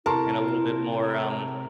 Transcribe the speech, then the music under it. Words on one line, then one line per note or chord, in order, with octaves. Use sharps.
and a little bit more, um,
C3 E4 A#4 A5 C6 C#6